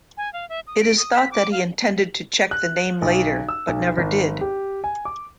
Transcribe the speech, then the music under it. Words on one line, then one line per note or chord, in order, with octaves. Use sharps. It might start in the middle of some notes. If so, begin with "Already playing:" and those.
It is thought that he intended to check the name later, but never did.
G#5
F5
E5
D#6
D7
D#6
B6
D6
F5
F#6
B1
E6
B1
G#1
G4
G#5
D6